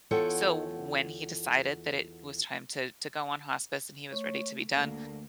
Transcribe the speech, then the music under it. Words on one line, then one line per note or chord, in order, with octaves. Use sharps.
So when he decided that it was time to to go on hospice and he was ready to be done,
E2 F4 A4 C#5 F#5 G5
A3 C#5
D2 D3 A#3